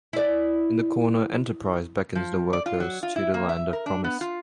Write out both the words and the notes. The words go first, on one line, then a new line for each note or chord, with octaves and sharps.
In the corner "Enterprise" beckons the workers to the Land of Promise.
E4 D5
F3
D5
F4
F#3
F4
E4
A#3
E5
A#4
D4
B3
F4